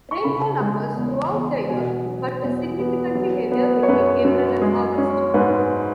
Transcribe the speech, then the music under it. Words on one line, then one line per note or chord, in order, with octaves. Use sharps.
Rainfall occurs throughout the year but is significantly heavier between April and August.
C#6
C#3 B5
G#3
E2
E2
B2 G#5
F#3
E2
B3
F#3
B3
C#5
F#2 B4
F#2
G#3
C#4
G#2 B4